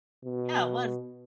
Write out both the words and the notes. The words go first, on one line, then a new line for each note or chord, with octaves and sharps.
Yeah, it was.
B2